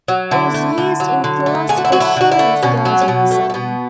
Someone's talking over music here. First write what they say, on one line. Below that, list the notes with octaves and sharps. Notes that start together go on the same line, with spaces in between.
It is used in classical Chinese garden design.
F#3
D3 E4
A3
D3
F#3
D3
A3
D3 G#4
F#4
E4
F#3 F#4
E4
D3 F#4
E4
A3
B2 C#4
F#3
C#4
B2 B3
A3
A3
B2 B3